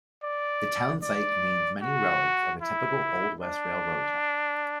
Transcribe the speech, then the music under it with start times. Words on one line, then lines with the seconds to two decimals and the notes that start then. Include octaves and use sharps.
The town site contains many relics of a typical old west railroad town.
0.23 D5
1.03 D5
1.82 F#4
2.62 E4
3.41 D4